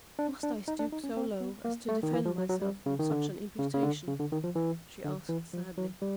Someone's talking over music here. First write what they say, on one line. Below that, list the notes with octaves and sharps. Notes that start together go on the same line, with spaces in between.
"Must I stoop so low as to defend myself from such an imputation?" she asked, sadly.
D4
D4
D#4
D4
D#4
C#4
C4
B3
A#3
A3
D#3
E3
F3
F#3
F#3
G3
C#3
D#3
D3
C#3
C#3
D3
C#3
D3
D#3
F3
E3
D3
E3
F3
F#3
G3